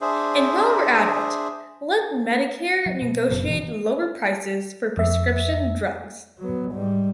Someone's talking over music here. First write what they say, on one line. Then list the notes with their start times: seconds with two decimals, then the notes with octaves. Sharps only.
And while we’re at it let Medicare negotiate lower prices for prescription drugs.
0.01 D4 G#4 C5 E5
2.86 F#3
3.02 B2
3.30 F#1 F#2 B2
3.49 E1 E2 B2
4.97 F2 E5
6.39 F#3 B3
6.73 G#2 G3